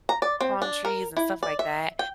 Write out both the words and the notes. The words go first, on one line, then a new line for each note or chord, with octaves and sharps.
palm trees and stuff like that.
A#5
D5
C4
D4
A#4
E4
D5
E5
G5